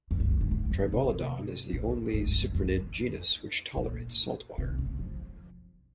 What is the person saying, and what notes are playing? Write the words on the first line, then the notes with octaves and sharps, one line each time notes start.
"Tribolodon" is the only cyprinid genus which tolerates salt water.
F2
G2
G#2
G#2
G#2
F2
C3
A#2
G#2
G2
F2
F2
A#2
C3
C#3
F3